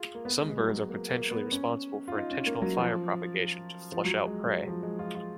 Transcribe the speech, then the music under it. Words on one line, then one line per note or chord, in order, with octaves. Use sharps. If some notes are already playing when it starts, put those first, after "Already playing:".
Some birds are potentially responsible for intentional fire propagation to flush out prey.
Already playing: F4 G#4
A#3
B3
G#3
F#3
F#3
A#3
A#3
B3
C#4
F4
D#4
C#4
A#3
F#3
F3
F3
F#3
G#3
F#3
F3
G#3
F4
F4